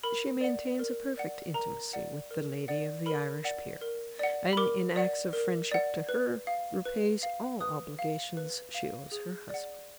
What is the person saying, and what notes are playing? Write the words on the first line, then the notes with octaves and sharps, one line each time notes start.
She maintains a perfect intimacy with the lady of the Irish peer; and in acts of friendship to her repays all obligations she owes her husband.
A#4 B5
D5 F#5
A#4
D5 F#5
A#4 A#5
D5 F#5
A#4
D5 F#5
A#4 B5
D5 F#5
A#4
D5 F#5
B5
A#4 D6
D5 F#5
A#4
D5 F#5
B4
F5
B4
F5
B4 D#6
F5
B4
F5
G#4
D5 F#5